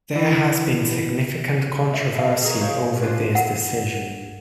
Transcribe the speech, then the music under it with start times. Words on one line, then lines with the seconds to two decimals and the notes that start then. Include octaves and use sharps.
There has been significant controversy over this decision.
0.16 E3
1.48 G#5
1.93 E5
2.15 A4 D#5 F5
2.44 G#4 A#4 C#5
2.61 G#4 C5 C#5 F5
3.03 D4 F4 C5
3.35 F#5